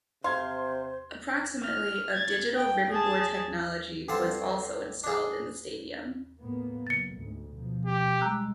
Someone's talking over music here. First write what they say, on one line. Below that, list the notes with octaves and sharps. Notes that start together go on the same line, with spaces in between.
Approximately of digital ribbon board technology was also installed in the stadium.
C3 C5 F5 C6 G#6
F6
G#6 A6
G5
G#4 A5
G2 D3 C4 F5 A5 C6
D4 G#4
A2 A#3 B3
F#1 A6 C#7
D2 G#2
B2 F3
G4
B1 G3 G#3 A#5 E6 F#6